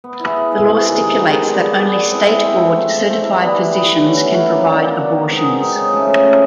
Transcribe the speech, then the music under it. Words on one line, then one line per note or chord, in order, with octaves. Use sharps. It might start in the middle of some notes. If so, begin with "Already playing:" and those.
The law stipulates that only state board certified physicians can provide abortions.
B3
E4 G#4
B3
E4 G#4
C3
D#3 G#3
C3
D#3 G#3
G#3
B3 D4
G#3
B3 D4
G#3
C4 E4 A4
G#3
C4 E4 A4
F3
A3 C4
F3
A3 C4
E3
G3 B3
E3
G3 B3
E3
A3 C#4 F#4
E3
A3 C#4 F#4
A#3
D4 F#4
A#3
D4 F#4
B2
G#3 C4 D#4
B2
G#3 C4 D#4
C#3
F3 A3 C#4
C#3
F3 A3 C#4